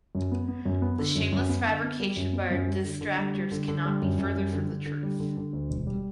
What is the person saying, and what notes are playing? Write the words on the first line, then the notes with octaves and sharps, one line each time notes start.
The shameless fabrication by our distractors cannot be further from the truth.
F#2
B3
B3
F#2
B3
D3
F#2
F#2
B3
D3
B3
G3
F#2
B3
F#2
G3
D3
D3
G3
G3
D3
D3
G3
F#2
F#2
G3
D3
D3
D3
G3
D3
D3
D2
E1
G3